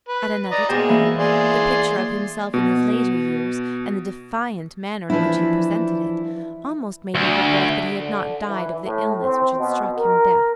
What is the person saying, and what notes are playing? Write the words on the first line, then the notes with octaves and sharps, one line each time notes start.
At another time, the picture of himself in his later years, and the defiant manner in which he presented it, almost made me regret that he had not died of the illness which had struck him deaf.
B4
D5 D#5 A#5
B2 G#3 C5 G5
E3 A#3
G#4 D5 C6
B2
E3 F3 D4 E4
D2
D3
E3
A2
C4
B2
A#4